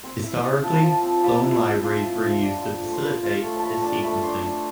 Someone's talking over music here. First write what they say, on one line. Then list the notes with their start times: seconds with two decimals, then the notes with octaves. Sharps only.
Historically, clone libraries were used to facilitate this sequencing.
0.04 C4 C6
0.23 E4
0.43 C4
0.63 F3 A5
0.71 B5
0.79 F3 A5
1.03 C4
1.18 A5
1.23 F3 B5
1.44 E4
1.63 C4
1.83 F3 C6
2.03 E4
2.24 F3
2.42 D4
2.56 C6
2.63 F4 B5
2.83 A3
2.92 C6
3.03 F4 B5
3.23 F4
3.43 A3
3.56 A5
3.63 A3 B5
3.82 D4 A5
4.03 A3 B5
4.23 D4 C6
4.43 D4